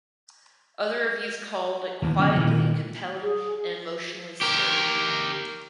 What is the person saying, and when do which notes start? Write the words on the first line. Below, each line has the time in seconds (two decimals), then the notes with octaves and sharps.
Other reviews called it "quietly compelling" and "emotionally stirring".
2.02 D#2 E3
2.19 C#3 F3 G3 B3
2.37 A#2 D#3 E3
3.22 G#4
4.41 G4 A#4